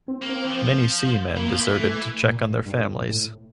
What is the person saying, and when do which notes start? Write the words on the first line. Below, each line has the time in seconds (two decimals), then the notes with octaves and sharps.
Many seamen deserted to check on their families.
0.08 C4
0.22 A#3
0.29 C4
0.44 E3
0.50 F3
1.36 E3 A#3
1.48 F3
1.60 E3
1.80 A3
2.23 A#2
2.66 G2
3.09 A2